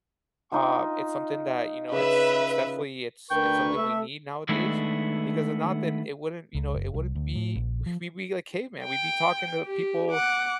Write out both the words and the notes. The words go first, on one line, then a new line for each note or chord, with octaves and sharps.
um, it's something that, you know, it's it's definitely it's it's something we need nowadays, because if not, then, it wouldn't, you know it wouldn't be we we we'd be like caveman, we'd be talking to people,
D#4 F4 G5
C#3 B4 E5
D2 D4 A#4 B4 G5 C#6
A3 E5
D#3 G#3 A3 B3 D4 E4
C#2
F#1
C2
D2
A2
A#1
F3
G5
G4
F#5 D6